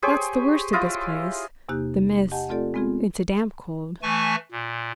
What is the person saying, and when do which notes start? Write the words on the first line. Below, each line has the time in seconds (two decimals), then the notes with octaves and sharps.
That's the worst of this place--the mists--it's a damp cold.
0.03 G4 G#4 C5 C#5
0.73 E4 F4 D#5
1.69 E2 C3 A#3 D#4 G4 F#6
2.31 G4 D#5 F#5 G#5 A5
2.49 A3 C4 F4 G4 A4 D5
2.74 G#3 B3 C4 F4 G#4
4.02 E3 A3 G#5 A5 C#6
4.51 A#2